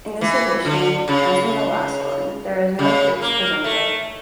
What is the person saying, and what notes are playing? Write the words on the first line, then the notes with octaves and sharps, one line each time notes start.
In this edition, as in the last one, there is no fix presenter.
E3
D3
C#3
C#3
A#3
A3